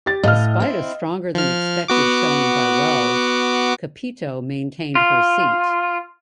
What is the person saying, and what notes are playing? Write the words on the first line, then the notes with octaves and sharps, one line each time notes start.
Despite a stronger than expected showing by Wells, Capito maintained her seat.
G4 A6
A2 D#5 F5 F6
C4 E4
F3 F6
B3 F#4 D6
F4